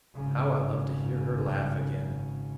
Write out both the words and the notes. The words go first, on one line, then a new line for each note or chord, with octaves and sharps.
How I loved to hear her laugh again!
G#1 C#3